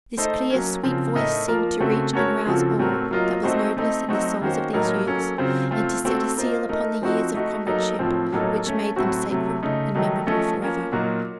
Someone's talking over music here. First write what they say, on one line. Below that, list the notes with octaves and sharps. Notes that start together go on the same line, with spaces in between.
This clear, sweet voice seemed to reach and rouse all that was noblest in the souls of these youths, and to set a seal upon the years of comradeship which made them sacred and memorable for ever.
A3 D#4 A4 C5 D#5
F#3 A#3 C#4
C#3 F3 C4
A2 A3 D#4 A#4 D#5
F3 A#3 F4 A#4
C#3 A3 C4 F#4 A4
A3 C#4 F#4 A#4 C#5
C#3 F3 C4 F#4 A4
A2 A3 C4 F#4 A#4
F#3 A#3 F4 A#4 D#5
A3 C4 D#4 F#4 C5
A3 C4 D#4
F#3 A3 C4 D#4 F#4
D#3 A#3 C#4 F#4 C5
A2 F#3 A#3 D#4 A#4
F#3 A#3 C#4 A4
C#3 F#3 C4 F4 C5
A3 C4 F4
A3 C4 F#4 A4
A#3 F4 C5 D#5
A3 D#4 A#4 D#5
F3 C4 D#4 F#4
A3 D#4 F#4
F#3 A#3 D#4 A4
A2 F3 C4
A2 F#3 A#3 D#4 A4
A3 C#4 A4
A2 F#3 A3 C4 F#4
C3 F#3 A3
C#3 A3 D#4
D#3 F#3 A3 D#4
F3 A3 C#4 A4 D#5
F3 A#3 C#4
A#2 F#3 A#3 D#4 F#4